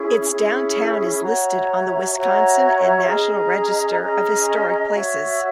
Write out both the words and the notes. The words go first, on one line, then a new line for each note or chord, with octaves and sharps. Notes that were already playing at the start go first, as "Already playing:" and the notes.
Its downtown is listed on the Wisconsin and National Register of Historic Places.
Already playing: C#4 E4 G#4
C#4 E4 G#4
F#4 C#5 E5 A#5
F#4 C#5 E5 A#5
C#4 G#4 D#5 A#5
C#4 G#4 D#5 A#5
F#4 C#5 E5